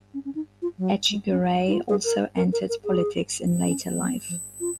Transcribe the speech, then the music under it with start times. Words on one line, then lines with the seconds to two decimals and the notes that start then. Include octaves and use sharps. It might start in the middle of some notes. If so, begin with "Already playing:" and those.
Echegaray also entered politics in later life.
0.14 C#4
0.25 C#4
0.35 D#4
0.62 F4
0.78 F#3
1.10 G#3
1.31 C#4
1.68 D#4
1.73 F4
1.89 G#4
2.05 A#4
2.37 A#4
2.53 A#4
2.69 A#4
2.85 G#4
3.65 C#4
3.97 F#3
4.29 F3
4.60 F4